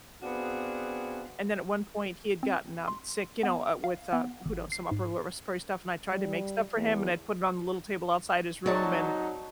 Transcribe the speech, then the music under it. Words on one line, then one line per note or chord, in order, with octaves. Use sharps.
and then at one point he had gotten, um, sick, you know, uh, with, uh, who knows, some upper lower respiratory stuff, and I tried to make stuff for him, and I'd put it on the little table outside his room and
B3 C4 D4 F#4 G#4 F5
C4
C6
B3
F5
B3
G#1
C7
G#2
G3
E2
F#3 C4 D#4 F#4 D5 A5